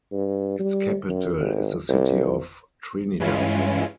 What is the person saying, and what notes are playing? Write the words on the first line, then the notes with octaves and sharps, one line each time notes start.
Its capital is the city of Trinidad.
G2
G3
F#2
G#1
C2
G2 E3 G#3 C#4 E4 F4